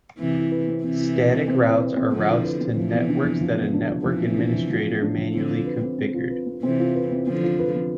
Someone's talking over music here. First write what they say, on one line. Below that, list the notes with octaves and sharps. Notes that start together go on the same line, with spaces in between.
Static routes are routes to networks that a network administrator manually configured.
C3 E3 C4
E4
B4
C4
C3 E3 C4
E4
B4
C4
C4
E4
B4
C4
D3 F3 C4
E4
B4
C4
C3 E3 F3
B3
D4
F3
F3
B3
D4
F3
C3 E3 F3
B3
D4
F3
F3
B3
D4
F3
D3 C4
F4
B4
C4
C4
F4
B4
C4
C3 E3 C4
F4
B4
C4
D3 F3 C4
F4
B4
C4